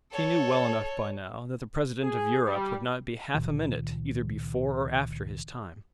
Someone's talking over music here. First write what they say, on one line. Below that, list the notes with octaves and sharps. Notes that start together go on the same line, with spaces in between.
She knew well enough by now that the President of Europe would not be half-a-minute either before or after his time.
A4 C#5
G#4
G3
C#2 A#2 D#3 F3